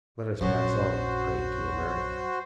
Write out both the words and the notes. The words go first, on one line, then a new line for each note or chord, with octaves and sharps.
"Let us pass on, pray, to America."
A#1 F#2 F#4 C5